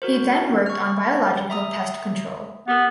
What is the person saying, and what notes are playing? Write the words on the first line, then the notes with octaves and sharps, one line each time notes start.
He then worked on biological pest control.
F#4 A#4 C5
C#6 F6
E5 A#5 D#6
B3 G4 A#4